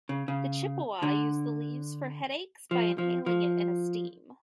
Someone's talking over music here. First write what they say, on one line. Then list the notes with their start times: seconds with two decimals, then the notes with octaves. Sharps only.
The Chippewa used the leaves for headaches by inhaling it in a steam.
0.09 C#3
0.28 C#3
1.03 D3
2.71 F3
2.98 F3
3.26 F3